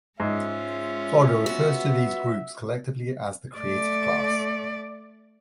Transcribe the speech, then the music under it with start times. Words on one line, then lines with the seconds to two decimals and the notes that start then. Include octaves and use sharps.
Florida refers to these groups collectively as the creative class.
0.20 G#2 G#3 C#4 F4 E5
1.46 B3 F#4
3.58 A3 D5